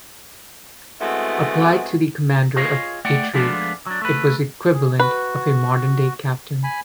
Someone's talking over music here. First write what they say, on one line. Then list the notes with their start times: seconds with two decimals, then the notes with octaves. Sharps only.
Applied to the commander of a troop, it was equivalent of a modern-day captain.
1.00 G#3 A3 B3 C4 E4 F#4
2.56 F4 G#4 C#5 D#5 F5
3.05 A3 D5 F#5 G5
3.33 F3 G#3 A3 B3 D4 F4
3.86 F#3 D4
4.02 A3 B4
4.73 G#4
5.00 F#4 B4
6.63 G#5 B5